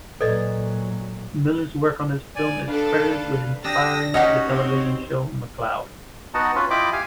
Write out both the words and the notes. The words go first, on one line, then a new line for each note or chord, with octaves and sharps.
Miller's work on this film is credited with inspiring the television show McCloud.
A#2 F#3 A4 B4 D5 D#5
D5 G#5
D4 A4 B4 F5
D4 G4 D#6 E6 A#6
C#4 D#4 F#4 G4 C#5 D#5 F#5
C4
B3 D#4 F#4 D#5 F#5 A5
C#4 F4 B4
E4 F4 D#5 G5 B5 D6
G4 F5 G#5